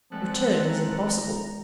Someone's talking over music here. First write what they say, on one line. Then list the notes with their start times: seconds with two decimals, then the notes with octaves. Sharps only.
Return was impossible.
0.12 E2 F3 G#3 A3 C4 F#5
0.65 G#3 B3 A#5